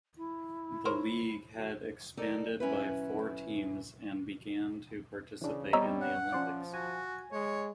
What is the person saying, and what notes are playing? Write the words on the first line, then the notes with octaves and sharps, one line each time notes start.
The league had expanded by four teams and began to participate in the Olympics.
E4
A#4 C5 C#5
F#4
D#4 A4 A#4 D5
F#3 C#4 E4 B4
C#3 E3 D4
G3 B3 C4 C#5 D#5 A#5 E6
F#5
F3 C#4 C5 D5
F#4 G#5
G#3 C#5